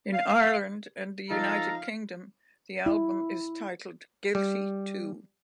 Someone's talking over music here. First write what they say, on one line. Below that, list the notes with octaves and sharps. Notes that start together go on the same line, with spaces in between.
In Ireland and the United Kingdom, the album is titled Guilty Too.
F5
F3 D#4 A4 F5 A#5
E4
G3